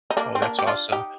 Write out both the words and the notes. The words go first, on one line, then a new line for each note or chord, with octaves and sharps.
Oh, that's awesome.
D#4
A#3 D4
C4
A#3 D4
G4
D4 F4
D#4 G4